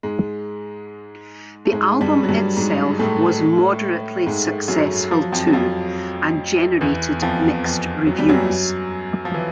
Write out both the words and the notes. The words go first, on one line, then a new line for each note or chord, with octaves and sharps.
The album itself was moderately successful too and generated mixed reviews.
G#2 G#3
A3
G#2 G#3
G2 G3
F#3
G2 G3
G#2 G#3
A2 A3
G#2 G#3
F#2 F#3
F3
F#3
F2 F3
F#3
F2 F3
E2 E3
F2 F3
F2 F3
F#3
G3
F#2 F#3
F3
E3